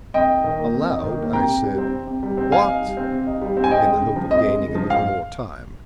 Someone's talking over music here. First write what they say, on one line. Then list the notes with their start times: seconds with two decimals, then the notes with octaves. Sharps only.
Aloud I said, "What?" in the hope of gaining a little more time.
0.14 F2 D#5 G5
0.29 D#4
0.44 D#3
0.59 A#3
0.74 F2
0.89 D#4
1.03 D#3
1.18 A#3
1.33 C3 G5 A#5
1.48 C3
1.63 G3
1.78 C4
1.93 C3
2.07 C3
2.23 G3
2.37 C4
2.52 C3 F5 G#5
2.67 D#4
2.82 G3
2.97 C4
3.12 C3
3.27 D#4
3.42 G3
3.57 C4
3.64 G#5
3.71 F2 D#5 G5
3.86 G#3
4.01 C#3
4.16 F3
4.31 F2 D#5
4.46 G#3
4.60 C#3
4.75 F3
4.90 G#2 F5